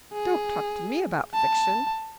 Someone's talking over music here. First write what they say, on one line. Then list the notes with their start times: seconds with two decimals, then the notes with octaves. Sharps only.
Don't talk to me about fiction!
0.13 G#4
1.34 A5